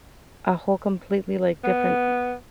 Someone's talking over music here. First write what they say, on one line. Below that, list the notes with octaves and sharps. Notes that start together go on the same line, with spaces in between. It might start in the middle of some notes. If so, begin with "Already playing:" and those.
a whole completely, like, different
B3